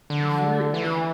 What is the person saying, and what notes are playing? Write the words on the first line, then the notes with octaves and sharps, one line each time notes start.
you're y
D3
E3